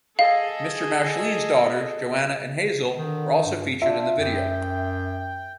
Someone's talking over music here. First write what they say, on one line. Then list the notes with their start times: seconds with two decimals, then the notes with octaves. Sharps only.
Mr Mauchline's daughters Joanna and Hazel were also featured in the video.
0.19 G#4 A4 D#5 F5
2.98 D3 D#3
3.46 G2
3.82 D4 F4 E5
4.18 F#2 G5